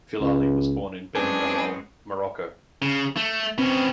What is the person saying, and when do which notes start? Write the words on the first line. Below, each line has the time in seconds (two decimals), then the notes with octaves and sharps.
Filali was born in Beni Mellal, Morocco.
0.20 C#2
1.15 F#2 E3 G#3 B3 C4 D4 G#5
2.82 C#3
3.17 A3
3.58 B2 C4 C#4